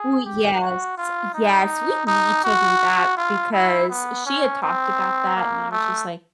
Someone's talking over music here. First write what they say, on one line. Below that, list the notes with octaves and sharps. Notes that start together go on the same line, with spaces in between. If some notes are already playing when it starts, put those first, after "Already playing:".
We yes, yes we need to do that because she had talked about that and I was just, like,
Already playing: G#4
G4
F#4
F4
D#4
D#4
F#4
F4
E4
B3
C#4
C4
A#3
A3